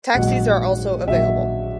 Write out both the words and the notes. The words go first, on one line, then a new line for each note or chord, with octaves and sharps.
Taxis are also available.
A#1 G#2 D#3 F#3 F#5
A#1 D#3 F#3 E5